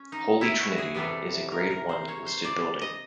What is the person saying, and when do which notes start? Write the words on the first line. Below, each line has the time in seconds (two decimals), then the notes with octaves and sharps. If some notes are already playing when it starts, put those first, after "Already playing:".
Holy Trinity is a Grade One listed building.
Already playing: C#4
0.12 D#4
0.41 E4
0.59 F#4
0.78 G#4
0.95 C3 E3 G3 B3 A4
1.52 A#4
1.71 A#4
1.89 C5
2.08 C#5
2.27 C5
2.44 D5
2.81 D#5